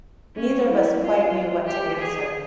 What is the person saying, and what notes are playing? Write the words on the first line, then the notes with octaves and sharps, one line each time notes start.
Neither of us quite knew what to answer.
C#4
E4
F4
G4
G#4